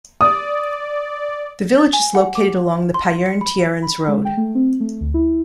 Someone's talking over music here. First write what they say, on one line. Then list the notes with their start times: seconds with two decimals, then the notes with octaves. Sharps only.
The village is located along the Payerne-Thierrens road.
0.21 D5 D#6
1.78 A6
1.93 G#5
2.15 F#5
2.35 D6
2.94 C6
3.26 C#7
3.41 B5
3.82 B5
4.08 G#3
4.25 G5
4.37 A3
4.55 C4
4.80 A3
5.01 D2
5.14 E4